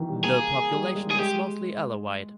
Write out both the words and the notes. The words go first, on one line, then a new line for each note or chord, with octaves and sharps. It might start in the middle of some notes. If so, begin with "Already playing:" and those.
The population is mostly Alawite.
Already playing: B2 D#3 E3
G3
A#3 G#4
G3
G#3
G#4
G#3 G4